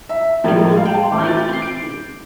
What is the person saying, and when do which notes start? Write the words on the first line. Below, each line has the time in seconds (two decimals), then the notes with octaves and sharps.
It will be quite easy.
0.09 E5
0.44 A2 F3 A#3 E4
0.77 F5
0.85 G5
0.94 A5
1.03 C6
1.11 E3 A3 E4 D6
1.20 G6
1.27 A6
1.37 G6
1.44 A6
1.53 C7
1.62 D7